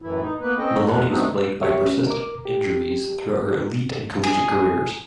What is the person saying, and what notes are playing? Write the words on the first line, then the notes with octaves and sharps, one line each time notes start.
Maloney was plagued by persistent injuries throughout her elite and collegiate careers.
F#2 A2 E3 E4
D#4
A#3 B3 B4
C4 C#4 A4 D#5 G5
F2 C3 E3 A#4 F#5
F#3 A3 B3 C4 D4 D#4
G4 C#5 E5
C#4
A#4 D6
G4
G#4